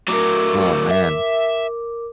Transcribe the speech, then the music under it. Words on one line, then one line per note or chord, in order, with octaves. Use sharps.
Oh man.
F#3 A3 A#4 D6
E5